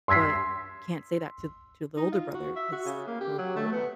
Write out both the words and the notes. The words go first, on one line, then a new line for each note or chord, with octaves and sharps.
but can't say that to to the older brother 'cause he'll go off.
C6 E6 G#6 B6 C7
D#4
F4
F#4
E5
F#4
C#3
A#3
G4
F#3
A3
B3